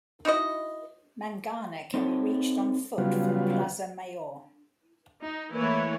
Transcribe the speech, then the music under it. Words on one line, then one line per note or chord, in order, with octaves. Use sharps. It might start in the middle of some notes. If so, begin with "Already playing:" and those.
Mangana can be reached on foot from Plaza Mayor.
D#4 E4 F#4 D#5
C4 D#4 A4 C#5
C#3 F#3 G3 B3 F4
D#4
E3 A3 A#3 E4 B4 C#5